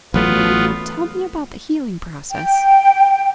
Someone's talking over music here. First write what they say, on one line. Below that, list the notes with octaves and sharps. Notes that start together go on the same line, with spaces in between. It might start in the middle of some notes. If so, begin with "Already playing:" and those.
"And now tell me about the healing process."
A1 F#3 A3 B3 F4
G5